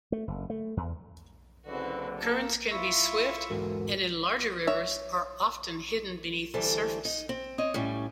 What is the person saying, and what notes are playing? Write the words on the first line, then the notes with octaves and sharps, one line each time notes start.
Currents can be swift and, in larger rivers, are often hidden beneath the surface.
A3
F#1
A3
E2
F#1 D3 C4 F#4 B4
A#3 A4
E4 F4 E5 C#6
E2 G#2 F#4 A4 A#4
C#5 E5
D2 E3 G3 A3 A4 C5
D#4
C4
C4 C#5 D#5
A2 G3 C#4